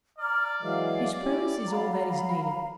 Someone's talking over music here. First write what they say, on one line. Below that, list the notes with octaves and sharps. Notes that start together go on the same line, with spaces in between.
His purse is all that is needed.
D5 A#5 F6
E3 F#3 G#3 F5
C#4 E4 G4
F#3 F5 A#5 B5